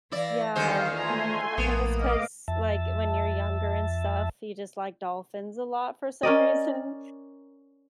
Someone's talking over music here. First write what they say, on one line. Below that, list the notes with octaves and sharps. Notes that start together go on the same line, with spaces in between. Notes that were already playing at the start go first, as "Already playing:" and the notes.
Yeah, mhm, I think it's 'cause, like, when you're younger and stuff, you just like dolphins a lot for some reason,
E3 E4 D5 F5 A#6
E2 D3 D#3 G3 C5 D#5 F5
A3 F4 E5 G#5 A#5 C6
A#1 A2 A#3 B3
D#5 F5 D6
F2 E5 A5
C#4 A#4 D5 D#5